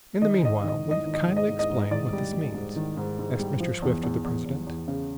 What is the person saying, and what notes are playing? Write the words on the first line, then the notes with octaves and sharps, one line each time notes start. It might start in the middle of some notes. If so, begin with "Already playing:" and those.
"In the meanwhile will you kindly explain, what this means?" asked Mr. Swift of the president.
D#3 D#5
G#2 D#5
D#3 D#5
D#3
D#5
D#3
D#5
G#2
D#5
G#2
D#5
G#2
D#3 D5
G3
G3
G#2
D#3
G#2
G#2
G3
F3
E2
E2
E2
E2
E2
C#3